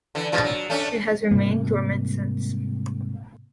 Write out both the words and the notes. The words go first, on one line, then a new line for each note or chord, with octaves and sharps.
It has remained dormant since.
D3 E3
G#2 B2 F3
F#3
A3 C#4 D4
G#2 C3 G3 A#3